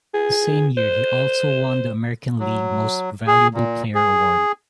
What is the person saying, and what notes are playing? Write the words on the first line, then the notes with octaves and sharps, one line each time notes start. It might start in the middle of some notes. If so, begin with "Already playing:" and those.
The same year he also won the American League Most Valuable Player award.
G#4
C5
F#3
G#4
A#2
G#4